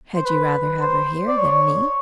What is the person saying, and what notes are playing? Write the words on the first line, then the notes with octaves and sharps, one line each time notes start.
"Had you rather have her here than me?"
C5
B4
C5
D5
C#5